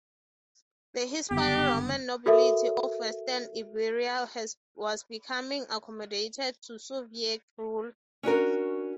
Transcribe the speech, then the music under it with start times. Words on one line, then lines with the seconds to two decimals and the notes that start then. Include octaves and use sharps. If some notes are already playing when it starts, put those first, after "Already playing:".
The Hispano-Roman nobility of western Iberia was becoming accommodated to Suevic rule.
1.31 F#1 G2 D3 B3 G4
2.26 F#4 A4 A#4 E5
8.23 C#4 D4 F#4 A#4